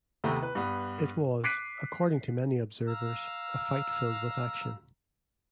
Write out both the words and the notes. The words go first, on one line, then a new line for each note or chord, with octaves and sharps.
It was, according to many observers, a fight filled with action.
D#2 C3 A3 B3 G5 A#5
B4
G2 B3
D6 F#6 B6 C7 D7 D#7
F5 A#5 E6